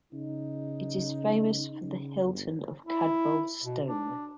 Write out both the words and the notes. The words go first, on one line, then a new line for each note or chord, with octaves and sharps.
It is famous for the Hilton of Cadboll Stone.
C#3 D#4
C#3
G1
E4
B2
D4